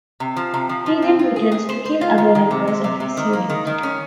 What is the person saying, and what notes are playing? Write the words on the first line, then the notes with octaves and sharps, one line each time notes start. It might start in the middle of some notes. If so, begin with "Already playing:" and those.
He then returns to kill other members of his unit.
C3
F3
C3
F3
F3
C4
F4
G#4
G#4
C5
C5
F4
D#3
D#3
C3
G#3
C3
C3
D#3
A#3
D#3
D#3
C#4